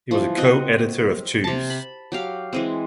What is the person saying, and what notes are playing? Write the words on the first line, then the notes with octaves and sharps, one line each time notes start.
He was co-editor of Jews.
E3 F3
C4 F#4 D#5
C3 A5
B5
F#3 G4 F5
E3 G#3 C4